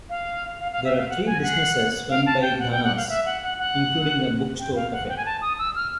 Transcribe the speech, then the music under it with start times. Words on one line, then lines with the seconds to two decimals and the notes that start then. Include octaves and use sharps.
There are three businesses run by Ganas, including a bookstore-cafe.
0.10 F5
0.60 F5
0.72 F5
0.84 E5
0.97 F5
1.10 F#5
1.26 G#5
1.43 F#5
2.10 F5
2.26 A5
2.42 G5
2.59 F#5
2.72 G5
2.84 F#5
2.97 F5
3.09 E5
3.26 F#5
3.42 F#5
3.58 F#5
4.59 G5
4.76 F5
4.93 F#5
5.09 G5
5.17 G#5
5.26 A5
5.42 D#6
5.59 E6
5.76 F6